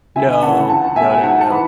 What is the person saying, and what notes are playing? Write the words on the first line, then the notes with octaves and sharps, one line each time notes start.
No. No, no, no.
D2 E5 G#5
C#3 E3 F#5 A5
C#2 F#5 A5
B2 E5 G#5
G#2 F#5 A5
F#5 A5
E3 B5